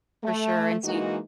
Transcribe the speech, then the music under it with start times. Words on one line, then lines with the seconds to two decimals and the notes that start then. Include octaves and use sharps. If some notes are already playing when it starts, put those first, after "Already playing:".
For sure. And so y
0.24 A3
0.83 E3 G#3 A#3 D#4 F#4